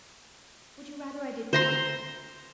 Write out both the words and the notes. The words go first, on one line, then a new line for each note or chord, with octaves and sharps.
Would you rather I didn't talk?
C5 A#5 C6